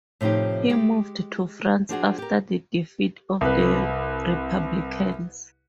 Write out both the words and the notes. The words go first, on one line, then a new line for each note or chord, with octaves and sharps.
He moved to France after the defeat of the Republicans.
A2 C3 F3 D#4 G4
G#3 G4
F3 D4 F#4 G#4
G4 A#4
C2 B4